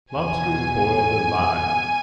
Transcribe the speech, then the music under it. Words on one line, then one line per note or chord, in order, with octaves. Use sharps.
Lobsters boiled alive.
E2 B2 G#5